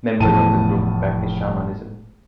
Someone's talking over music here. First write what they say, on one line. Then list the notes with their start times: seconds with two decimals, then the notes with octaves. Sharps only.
Members of the group practice shamanism.
0.20 F1 E2 A2 A5 D#7